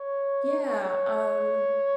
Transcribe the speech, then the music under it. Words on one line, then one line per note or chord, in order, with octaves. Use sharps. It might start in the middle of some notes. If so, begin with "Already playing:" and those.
Yeah, um,
Already playing: C#5
C#5